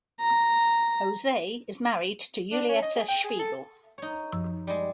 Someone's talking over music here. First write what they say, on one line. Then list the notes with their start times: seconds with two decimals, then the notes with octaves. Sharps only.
Jose is married to Julieta Spiegel.
0.20 A#5
2.52 D4
2.69 C#4
2.82 D#5
2.96 G#4
3.08 G5
3.24 G#4
3.39 A4
3.98 D#4 C#5
4.32 F#2 F3 E6
4.67 G3 G#3